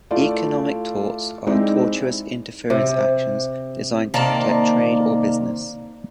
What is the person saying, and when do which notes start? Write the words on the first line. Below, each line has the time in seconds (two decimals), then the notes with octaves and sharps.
Economic torts are tortious interference actions designed to protect trade or business.
0.11 A3 E4 F4 D5
1.47 G#3 C4 D#4 E4 D5
2.70 C3
4.14 C3 D#3 A#3 D5 A5